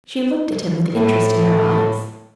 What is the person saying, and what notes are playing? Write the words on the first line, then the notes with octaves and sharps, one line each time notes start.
She looked at him with interest in her eyes.
A2